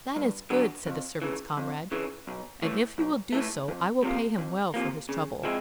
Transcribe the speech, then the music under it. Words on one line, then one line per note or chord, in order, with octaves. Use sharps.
"That is good," said the servant's comrade, "and if he will do so I will pay him well for his trouble."
G2
D3 F#3 B3
F2
C#3 E3
F2
C#3 E3
B1
A2 E3 A3
B1
A2 E3 A3
F2
C3 F3 A#3
F2
C3 F3 A#3
C#3
F3 G#3 C4 E4